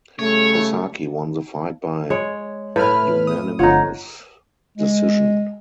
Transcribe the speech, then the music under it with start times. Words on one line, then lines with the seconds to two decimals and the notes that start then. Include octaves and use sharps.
Osaki won the fight by unanimous decision.
0.19 C#3 G3 A3 C#5
2.10 G#3 C#5
2.76 A2 E4 B4 B5 F6
3.27 D#6
3.59 G1 D#4 F4 C#5 F#5
4.78 G#3